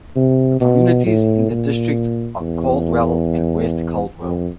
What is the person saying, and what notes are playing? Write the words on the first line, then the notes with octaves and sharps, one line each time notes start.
The communities in the district are Caldwell and West Caldwell.
C3
B2
A2
A#2
E2
F2